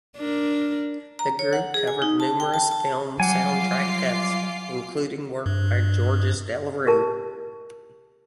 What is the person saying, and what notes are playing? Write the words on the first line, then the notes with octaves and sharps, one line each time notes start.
The group covered numerous film soundtrack cuts, including work by Georges Delerue.
D4 A#4
A#5
C#5
F#5
G#4
G#5
D#4
A5
G5
A5
A5
F#3 G3 F4 F#5 G#5 D6 C7
G2
G4 A#4 A5